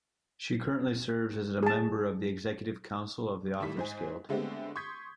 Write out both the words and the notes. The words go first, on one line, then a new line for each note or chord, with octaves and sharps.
She currently serves as a member of the executive council of the Authors Guild.
G#4 A5
A2 D#3 G3 B6
G#2 C5 G#5
D3 G#3 A3 B3 C4 G4
C6 C#6 D#6 G6 G#6 B6